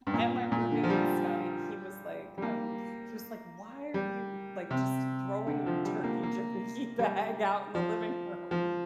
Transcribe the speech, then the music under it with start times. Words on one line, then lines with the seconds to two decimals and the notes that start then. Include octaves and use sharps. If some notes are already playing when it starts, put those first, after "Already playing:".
and my roommate, Scotty, he was like, um he was like, "Why are you, like, just throwing your turkey jerky bag out in the living room?"
0.07 G2
0.14 A#2
0.52 A#2
0.71 D3
0.84 F3
0.90 G3
2.38 G3
2.42 A#3
3.94 G3
4.71 C3
5.47 D3
5.66 F3
5.85 G3
6.04 A#3
6.23 A#3
6.99 G3
7.75 F3
8.51 F3